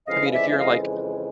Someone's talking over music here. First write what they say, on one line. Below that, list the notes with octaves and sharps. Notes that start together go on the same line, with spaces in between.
I mean, if you're like
F2 C#3 E3 G#3 D#5 F5
D5 E5
E5
D#5 F5